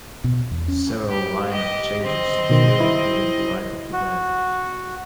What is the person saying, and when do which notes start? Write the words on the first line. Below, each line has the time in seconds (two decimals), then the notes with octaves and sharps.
Several line-up changes occurred during the life of the band.
0.24 B2
0.51 E2
0.68 C#4
1.09 G4
1.48 G4 D#5
2.03 C4 D#5
2.49 B2 D#3
2.80 E4
3.93 F#4